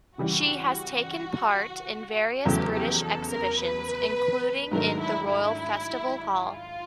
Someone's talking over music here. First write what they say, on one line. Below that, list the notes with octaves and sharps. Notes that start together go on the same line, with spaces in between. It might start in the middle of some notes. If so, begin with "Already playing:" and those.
She has taken part in various British exhibitions, including in the Royal Festival Hall.
C#3 E3 G3 F#4
F1 E2 C#3 F#3 A3 G4
G4
A4
A#4
B4
G#2 D#3 F#3 A3 D4 A#4
E4
E4
F4